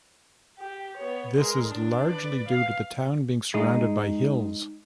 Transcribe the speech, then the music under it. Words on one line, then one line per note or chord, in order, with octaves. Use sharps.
This is largely due to the town being surrounded by hills.
G4
B3 C#5
G#3 A#4
D4
B4 D5
F5
G#3 D#4